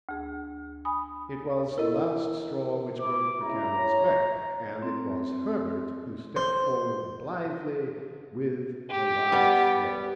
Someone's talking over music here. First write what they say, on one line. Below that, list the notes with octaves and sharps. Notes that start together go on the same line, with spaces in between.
It was the last straw which broke the camel's back, and it was Herbert who stepped forward blithely with the last straw.
D2 G#4
G#5 B5 D#6
E4 A4 A#4 D#5
E4 D6
C#3 G#3 E4 A#5
C#5
C4
C5
G4
G3 B3